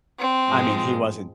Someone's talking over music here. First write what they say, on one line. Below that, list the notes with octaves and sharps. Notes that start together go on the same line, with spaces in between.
I mean, he wasn't
C4
G#2 F3 G#3